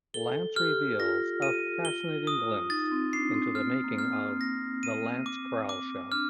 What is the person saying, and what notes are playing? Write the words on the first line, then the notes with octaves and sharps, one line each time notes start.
Lance reveals a fascinating glimpse into the making of The Lance Krall Show.
A4 G7
G4 F6
F4 A#6
D#7
G7
D#6
D#4 A6
C4
D4 C7
C4
C4 F6
A#3
F6
C4
A#6
D#7
D6
D6
D4 F6